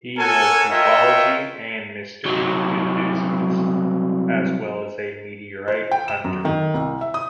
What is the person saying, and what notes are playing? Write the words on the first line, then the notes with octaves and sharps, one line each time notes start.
He was ufology and mystery enthusiast, as well as meteorite hunter.
A4 A#4 C#5 F#5 G#5
F4 A#4 C#5 D#5 E5 G5
C2 F#3
C5
G5
E7
F#2
D#3
C2
E5
D#6